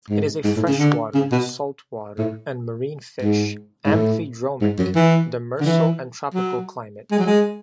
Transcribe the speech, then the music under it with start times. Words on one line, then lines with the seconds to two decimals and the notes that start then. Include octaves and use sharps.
It is a freshwater, saltwater and marine fish; amphidromic; demersal and tropical climate.
0.10 G#2
0.44 G#2
0.56 A2
0.68 C#3
0.79 D3
1.14 C#3
1.32 B2
2.18 A2
3.22 G#2
3.86 G#2
3.92 A2
4.61 G#2
4.79 F#2
4.95 E3
5.60 D3
5.65 E3
6.34 F#3
7.11 G#3
7.19 F#3
7.26 G#3